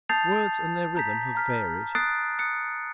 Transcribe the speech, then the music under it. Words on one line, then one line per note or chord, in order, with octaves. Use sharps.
Words and their rhythm have varied.
A5 D#6 G6 A6 C7 F7
A#5 G6 B6
A#5 F6 B6
D#6 F#6 A6 C7 D7
D#6 F#6 C#7